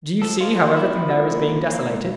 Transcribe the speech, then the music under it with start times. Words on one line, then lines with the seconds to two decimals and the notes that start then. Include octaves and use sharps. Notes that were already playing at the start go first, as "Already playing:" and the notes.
Do you see how everything there is being desolated!
0.22 F3 A4
0.41 G#3 F4
0.59 A#2 F4
0.77 C2 E4
0.95 F3
1.15 G#3
1.32 A#2
1.51 C2
1.70 A#3
1.87 G#2